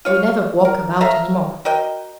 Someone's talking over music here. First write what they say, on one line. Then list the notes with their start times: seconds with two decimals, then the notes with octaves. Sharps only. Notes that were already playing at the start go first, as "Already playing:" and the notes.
We never walk about any more.
0.05 F4 C#5 F5
0.65 A#4
1.01 A4 E5 F5 A#5
1.65 F#4 A#4 D#5 G5